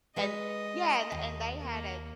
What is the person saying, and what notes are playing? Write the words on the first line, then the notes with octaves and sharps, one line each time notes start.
and yeah, and and they had a
G#3 B4 D#5
D#2
A#3